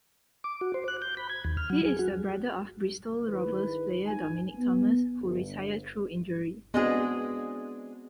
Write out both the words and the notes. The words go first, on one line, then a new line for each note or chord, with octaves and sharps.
He is the brother of Bristol Rovers player Dominic Thomas who retired through injury.
D6
F#4
C5
F#6
G6
B5
G#6
D#2
F6
F#3
G#4
F#4
D#3 E4 G#4 B4
D#4 F4 G#5
B3
G1
G#3 B3 C4 D4 F#4 G#4